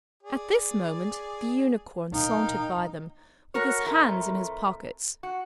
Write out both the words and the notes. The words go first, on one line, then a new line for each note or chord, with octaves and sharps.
At this moment the Unicorn sauntered by them, with his hands in his pockets.
G#4 D5
D#4 A#4 F5 G5
F#4 A#4 C#5
F2 A2 A3 C4 A#4
F#4